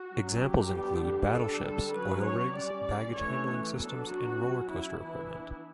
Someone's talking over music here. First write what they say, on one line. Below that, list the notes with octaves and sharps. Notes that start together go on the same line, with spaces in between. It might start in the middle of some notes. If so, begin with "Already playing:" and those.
Examples include battleships, oil rigs, baggage handling systems and roller coaster equipment.
Already playing: F#4
F#3 C#4
G4
D3 G3 B3 D4
D3 G3 D4 A4
F#3 C#4 B4
C#5
G3 C#4 D5
D5
E3 A3 C#4 C#5
F#3 B3 D4 A4
F#4
F#3 C#4
E4
E3 B3 D4 E4